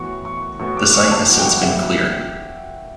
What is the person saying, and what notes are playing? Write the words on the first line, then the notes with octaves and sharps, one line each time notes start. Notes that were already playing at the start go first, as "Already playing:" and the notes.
The site has since been cleared.
Already playing: A2 E3 B3 F#4 C#6
C#6
A2 E3 B3 F#4 C#6
D6
C#6
A5
A2 E3 B3 F#4 F#5
G5
F#5
E5